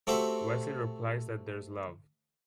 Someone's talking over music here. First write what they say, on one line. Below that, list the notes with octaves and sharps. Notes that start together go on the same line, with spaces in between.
Wesley replies that There's love.
A3 C4 F#4 G4 C5 E5